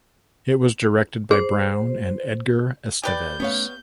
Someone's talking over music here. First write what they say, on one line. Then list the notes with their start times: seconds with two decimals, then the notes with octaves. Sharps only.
It was directed by Brown and Edgar Esteves.
1.31 G#4 C5
3.03 G4 B4 D5 G6
3.40 A3 B3 C#4 C#5 F5